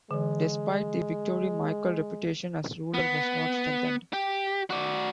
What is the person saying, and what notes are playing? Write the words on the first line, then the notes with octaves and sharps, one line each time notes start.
Despite the victory, Michael's reputation as ruler was not strengthened.
D3 E3 G#3
B3
G4
F#4 D5